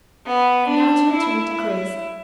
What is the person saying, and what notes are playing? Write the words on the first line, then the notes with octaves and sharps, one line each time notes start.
And now to return to Creusa.
B3
D4
E4
E4